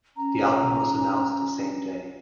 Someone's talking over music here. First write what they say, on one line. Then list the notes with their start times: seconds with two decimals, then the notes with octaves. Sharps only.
The album was announced the same day.
0.17 C#4 A#5